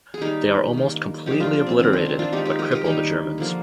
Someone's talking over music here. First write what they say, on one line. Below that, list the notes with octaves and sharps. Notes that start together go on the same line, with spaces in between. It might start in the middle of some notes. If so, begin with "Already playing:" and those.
They are almost completely obliterated, but cripple the Germans.
G#4
D#3 G3 A#3 D#4 G4
D#3 A#3
D3 F3 A#3 D#4 G4
D4 F4
D4
C4
D#3 A#3 C4
D4
C4
D4 F4
D#3 G#3 D#4 G4
D#4 G4
G4 A#4
G4 A#4
D#3 G3 A#3 D#4 G4
D3 F3 A#3